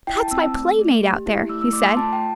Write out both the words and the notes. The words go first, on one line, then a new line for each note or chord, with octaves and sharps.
"That is my playmate out there," he said.
E4 G5
A5
C4 E6
A3
A3
G4
E4
A3 E6
E6
A3 D6
C6
F4 A5
G5